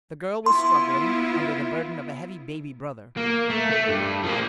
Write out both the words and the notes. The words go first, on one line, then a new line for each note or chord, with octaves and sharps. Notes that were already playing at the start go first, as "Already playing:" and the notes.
The girl was struggling under the burden of a heavy baby brother.
B3 E4 F4 C6
A#3
A3
A3
G2
F3 A#3